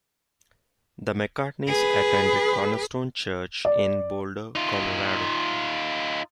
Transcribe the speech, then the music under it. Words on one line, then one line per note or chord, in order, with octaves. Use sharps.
The McCartneys attend Cornerstone Church in Boulder, Colorado.
G#4 B4
D5
D#4 F4